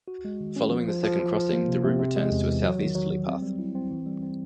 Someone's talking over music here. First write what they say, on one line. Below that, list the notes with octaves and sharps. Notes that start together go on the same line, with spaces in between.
Following the second crossing, the route returns to a southeasterly path.
F#4
G#3
D#3
C#4
F3
F3
F3
F3
F3
A#3
C3
C3
C3
G#3
E2
E3
F#3
D#3
F#3
F#3
C4
G3
E4
C4
E3
G3
C4